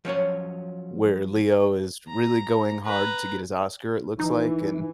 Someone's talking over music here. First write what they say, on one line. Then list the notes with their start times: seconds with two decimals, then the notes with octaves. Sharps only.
where Leo is really going hard to get his Oscar, it looks like and,
0.05 F3 F#3 C#4 C#5
2.08 A#5
2.85 B4 A#5
4.20 E3 D#4